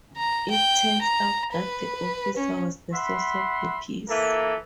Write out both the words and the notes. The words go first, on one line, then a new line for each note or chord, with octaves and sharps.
It turns out that the officer was the source of the piece.
A#5
G5
A#5
B4
C#4
E5 F#5 B5 C6
E3 A#3 A4 A#4 E5